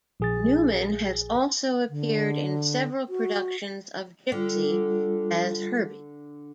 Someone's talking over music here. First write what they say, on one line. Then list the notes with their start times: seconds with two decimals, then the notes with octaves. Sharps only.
Newman has also appeared in several productions of "Gypsy" as Herbie.
0.20 A#1 G#4 A6
1.89 D3
3.09 F#4
4.32 D3 G3 F4